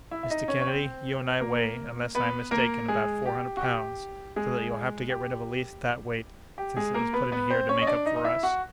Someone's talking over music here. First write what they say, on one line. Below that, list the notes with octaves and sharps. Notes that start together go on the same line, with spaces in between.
"Mr. Kennedy, you and I weigh, unless I am mistaken, about four hundred pounds--so that you'll have to get rid of at least that weight, since it was put in here to make up for us."
E4 E5
E5
D#4 D#5
C#4 C#5
C#5
C4 C5
A#3 A#4
B3 B4
A#3 A#4
G#3 G#4
G4
F#4
G4
G#3 G#4
G4
G4
G#3 G#4
A#3 A#4
B3 B4
B3 B4
C4 C5
C#4 C#5
D#5
D4 D5
D#4 D#5
D#5
E4 E5
F#4 F#5